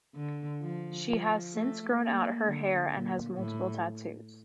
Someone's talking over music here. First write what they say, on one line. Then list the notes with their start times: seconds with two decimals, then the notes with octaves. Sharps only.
She has since grown out her hair and has multiple tattoos.
0.15 D3
0.61 F3
1.07 F3
1.54 A3
1.99 A#3
2.46 D3
2.91 A#2
3.38 A2